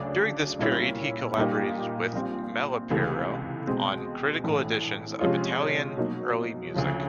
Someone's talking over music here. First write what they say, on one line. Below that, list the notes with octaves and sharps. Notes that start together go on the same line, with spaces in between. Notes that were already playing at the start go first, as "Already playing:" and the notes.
During this period he collaborated with Malipiero on critical editions of Italian early music.
Already playing: D2 C#3 F#3 A3 D4
A#2 G3 A#3 C#4 E4
A#2 G3 A#3 D#4 G4
A#1 A#2 G3 C4 F4
C#2 C3 E3 A3
B2 G#3 C4
A#1 A2 E3 A3
C3 F3 G#3 C#4 F4
B2 F#3 A#3 D#4
D2 C#3 F3